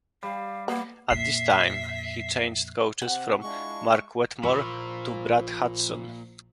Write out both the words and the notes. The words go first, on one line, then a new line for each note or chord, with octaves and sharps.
At this time he changed coaches from Mark Wetmore to Brad Hudson.
G3 F5
A#3 B3
F2 A#2 E5 B6 C7
C3 C4 G4 F#5
G#3 D4 E4 F4 C#6
A#1 A#2 F3 F4 B5 C#6 E6